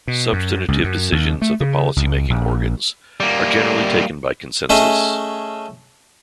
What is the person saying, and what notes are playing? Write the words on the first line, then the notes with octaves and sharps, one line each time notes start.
Substantive decisions of the policy-making organs are generally taken by consensus.
B2
F#2
C#2
F#2
D#2
A3
C#3
C#2
A#1
G3 A#3
A3 C#4 G#4 D#5 E5